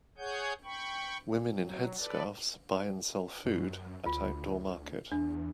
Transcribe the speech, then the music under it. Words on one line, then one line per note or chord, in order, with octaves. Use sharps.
Women in headscarves buy and sell food at outdoor market.
G#4 C#5 F#5 G#5 G6
G5 B5 C#6
F#3
A4 B4 D5
F#2
D2 F4
E2 D4